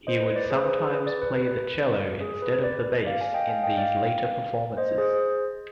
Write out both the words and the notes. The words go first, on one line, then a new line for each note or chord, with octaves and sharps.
He would sometimes play the cello instead of the bass in these later performances.
C5 D#5
B4
B4 D5
G#4 C5
B4
G#4
B4
B4 D5
B4
B4
G#4
B4
B4 D5
D5 F5
F5 G#5
D#5 G5
F5 G#5
D#5 G5
D5 F5
C5 D#5
G#4 C5